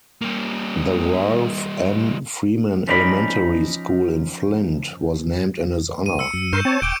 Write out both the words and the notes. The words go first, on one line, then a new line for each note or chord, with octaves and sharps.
The Ralph M. Freeman Elementary School in Flint was named in his honor.
G3 A#3
F3 C#4 D#4 D5 A#5 B5
D#7
E6 C#7
F#2
G2 A#4 C6 C#6 G6 E7
C4 C#5 A5
D#1 G5 D6 D7